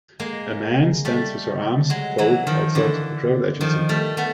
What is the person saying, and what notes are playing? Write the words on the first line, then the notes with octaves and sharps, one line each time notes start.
A man stands with her arms folded outside a travel agency.
G#3 A#3
G3 A3
F#3 G#3
E3 F#3
D#3 F3
D3 E3
D#3 F3
G3 A3
A3 B3